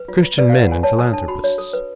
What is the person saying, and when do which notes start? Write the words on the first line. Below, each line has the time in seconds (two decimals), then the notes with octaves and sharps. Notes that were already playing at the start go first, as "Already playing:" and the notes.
Christian men and philanthropists!
Already playing: B4
0.08 F4
0.23 F4
0.38 B4 D5
0.50 F5
0.53 B4
0.61 F#5
0.68 F4 G#5
0.83 C#5 A5
0.99 A4 G#5
1.13 D4 A5
1.28 F#4 B5
1.44 C#5
1.58 A4
1.73 B4